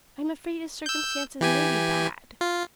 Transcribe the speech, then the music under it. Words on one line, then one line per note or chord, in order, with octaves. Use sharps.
I am afraid his circumstances may be bad.
E6 G6
E3 G4 G#5
F4